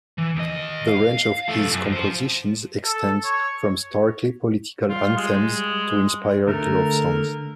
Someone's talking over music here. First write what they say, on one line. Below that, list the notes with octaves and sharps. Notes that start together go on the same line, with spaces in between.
The range of his compositions extends from starkly political anthems to inspired love songs.
E3
D#2 D#5
F5
F3 A3
F#2
F4 C5
A4
C#5
G3 F4
G#3
D3 A3 A#4 A#5